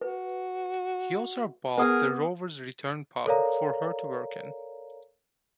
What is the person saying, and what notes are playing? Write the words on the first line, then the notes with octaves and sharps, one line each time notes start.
He also bought the Rovers Return pub for her to work in.
F#4 B4
B3 G#4 A#4 B4 F#5 D#6
A4 A#4 C#5 D5 F5 A#5